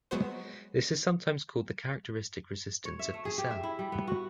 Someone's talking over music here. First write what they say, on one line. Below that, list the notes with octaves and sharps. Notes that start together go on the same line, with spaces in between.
This is sometimes called the 'characteristic resistance' of the cell.
F#3 G#3 B3 F#4 C5
C#5
E5
A3
G#4
G4
E5
E4
G3
B3
F#4